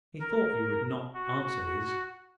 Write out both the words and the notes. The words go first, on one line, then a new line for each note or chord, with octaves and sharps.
He thought you would not answer his.
A#4
F#4